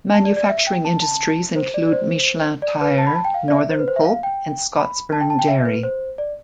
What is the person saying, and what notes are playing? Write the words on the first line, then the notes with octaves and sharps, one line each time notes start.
Manufacturing industries include Michelin Tire, Northern Pulp and Scotsburn Dairy.
A5
D5
D5
E5
G5
A5
A5
C5
D5
D5
C5
D5
B4
A5
B5
A5
G5
F5
D5
E5
C5
B4
C5
E5
F5
G5
B5
A5
G5
A5
G5
E5
B4
C5
D5